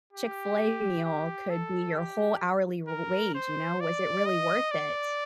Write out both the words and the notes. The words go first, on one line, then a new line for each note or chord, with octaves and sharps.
Chick-fil-A meal could be your whole hourly r wage, you know? Was it really worth it?
G4
G4
A4
G4
A#4
C5
D5
D#5
D5